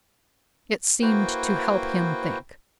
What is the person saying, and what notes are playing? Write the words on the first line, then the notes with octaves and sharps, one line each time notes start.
It seemed to help him think.
A#3 E4 F#4 B4 C5 G5